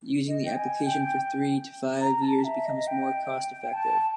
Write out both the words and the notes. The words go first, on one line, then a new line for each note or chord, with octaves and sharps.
Using the application for three to five years becomes more cost-effective.
D#5
G5
G#5
G5
A#5
A5
E5
D#5
G5
A5